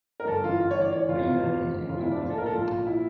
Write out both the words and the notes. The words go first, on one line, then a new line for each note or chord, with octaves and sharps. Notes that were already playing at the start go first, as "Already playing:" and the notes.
A year later, he was released.
A#4
G1 A4
E3 F4
G1 F4
C#5
E3
D5
E3 C#5
F1 F4
F1
E2
F1
F1
F1 F4
E4
F1
D4
A#1 F4
A4
A#2 A#4
A4
A#1 F4
A#2
E4